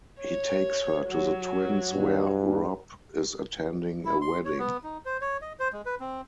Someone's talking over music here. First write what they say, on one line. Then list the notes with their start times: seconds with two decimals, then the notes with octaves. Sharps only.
He takes her to the Twins, where Robb is attending a wedding.
0.21 C#5
1.08 F#3
1.92 G2
4.05 E4
4.21 C6
4.45 C#5
4.59 B3
4.84 D#4
5.05 C5
5.21 C#5
5.42 D#5
5.59 C5
5.73 G#3
5.86 B4
6.00 C4